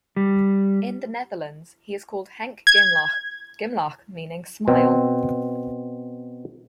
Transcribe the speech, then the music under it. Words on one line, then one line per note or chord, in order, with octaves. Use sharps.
In the Netherlands, he is called "Henk Glimlach", "glimlach" meaning "smile".
G3
G#6
B2 C4